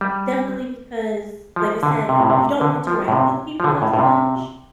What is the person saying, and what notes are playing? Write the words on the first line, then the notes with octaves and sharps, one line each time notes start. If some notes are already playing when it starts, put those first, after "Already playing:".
definitely because like I said, you you don't interact with people as much.
G3
F3
D3
C3
A2
C3
D3
F3
A2
C3
F3
D3
A2
A2
C3